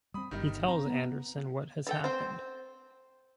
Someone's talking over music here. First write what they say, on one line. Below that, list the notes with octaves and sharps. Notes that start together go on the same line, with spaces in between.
He tells Andreson what has happened.
G3 C4 B5 D#6
G1 D#3 G3 D#4
C4 A#5
B3
E3 A4 G5
C4 C5